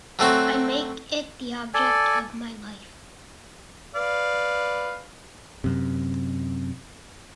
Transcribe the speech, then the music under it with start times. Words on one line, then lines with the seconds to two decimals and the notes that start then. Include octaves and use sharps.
I make it the object of my life.
0.19 F#3 A3 C4 F#4
1.74 A4 D5 G#5
3.95 B4 D5 F5
5.64 F#2 C3